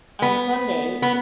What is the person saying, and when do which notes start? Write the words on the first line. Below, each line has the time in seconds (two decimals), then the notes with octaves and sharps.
on Sunday
0.22 B3
1.02 B3